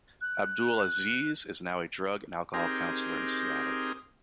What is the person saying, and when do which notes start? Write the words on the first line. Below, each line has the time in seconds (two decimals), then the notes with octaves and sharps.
Abdul-Aziz is now a drug and alcohol counselor in Seattle.
0.21 F#6
2.54 C4 D#4 G4 G#4 A#4